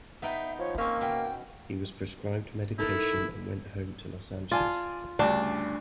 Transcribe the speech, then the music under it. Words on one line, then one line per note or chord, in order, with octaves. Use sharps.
He was prescribed medication and went home to Los Angeles.
B3 D#4 E5 G5
F3 C#5
A#3 C4 C#4 C#6
B2 G5
D#4 E4 A4 A#4
F4 D5 G#5 A5
D2 G2 C#3 D4